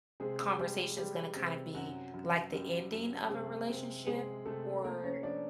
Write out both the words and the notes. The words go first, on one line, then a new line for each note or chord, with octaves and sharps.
conversation is gonna kinda be, like, the ending of a relationship or
C3 G#3 G#4
G3 G#3 G4
G3 G#3 G4
C3
F#2 F#3 F#4
F#2
F#2 G3 G4
F#2
C3 G#3 G#4
C3
C3 G#3 G#4
C3 A3 A4
A3 A#3 A#4
C#4 C#5
F3 D4 D5